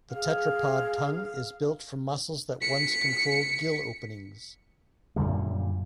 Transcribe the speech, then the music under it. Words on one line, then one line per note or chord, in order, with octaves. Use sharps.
The tetrapod tongue is built from muscles that once controlled gill openings.
G#4 F5
B6 C#7
F#2 A#2 D3 G3